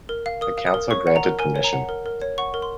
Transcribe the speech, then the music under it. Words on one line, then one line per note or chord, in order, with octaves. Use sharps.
The council granted permission.
A#4
F5
A#4 D#6
F5
D#6
A#4
C#5 C#6
F#5
A#5
A#4
A#4 G#5
C#5
A#5
F#5
A#4
A#4
C#5
F#5 C#6
A#4
C6